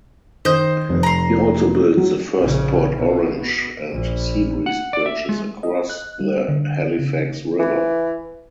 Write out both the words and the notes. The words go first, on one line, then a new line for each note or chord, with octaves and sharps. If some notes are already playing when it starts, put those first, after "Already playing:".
He also built the first Port Orange and Seabreeze bridges across the Halifax River.
D#3 C5 D#5 G6
F1
A#5 C6
F#3
A#1 C#3
B2
A#1
F#5
D5
E5
G#3
D#5
F#6
G3
D3
C#3
E3